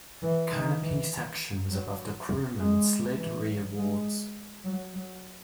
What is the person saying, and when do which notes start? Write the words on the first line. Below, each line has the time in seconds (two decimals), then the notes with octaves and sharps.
Canopy sections above the crewmen slid rearwards.
0.22 E3
0.52 D#3
0.82 E3
1.70 F#3
2.58 G#3
3.17 E3
3.47 F#3
3.76 G#3
4.64 F#3
4.94 F#3